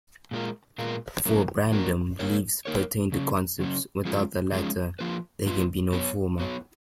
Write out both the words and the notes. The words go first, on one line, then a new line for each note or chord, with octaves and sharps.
For Brandom, beliefs pertain to concepts: without the latter there can be no former.
A#2 G#3 B3 F4 A#4
A#2 G#3 B3 F4 A#4
F#3 A#3 C#4 F#4 A#4
F#3 A#3 C#4 F#4 A#4
A#3 D#4 A#4 C#5
A#3 D#4 A#4 C#5
C#3 F#3 C#4
C#3 F#3 C#4
F3 G#3 C#4 F4 G#4
F3 G#3 C#4 F4 G#4
F3 A#3 F4 B4
F3 A#3 F4 B4
F#3 B3 F#4 C#5
F#3 B3 F#4 C#5